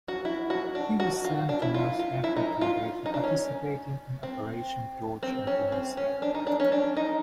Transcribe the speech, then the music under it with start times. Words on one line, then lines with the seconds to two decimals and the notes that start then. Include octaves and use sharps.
He was sent to North Africa, where he participated in Operation Torch in Tunisia.
0.08 F#4
0.25 E4
0.50 F#4
0.75 D4
1.00 F#4
1.25 F4
1.49 D4
1.62 E4
1.74 F4
1.99 F4
2.24 E4
2.36 D#4
2.61 F4
3.06 D#4
3.14 D4
3.24 C#4
4.23 C4
5.23 C4
5.47 C#4
5.72 C4
5.97 C#4
6.22 D4
6.35 D#4
6.47 D4
6.60 C#4
6.72 D4
6.97 D#4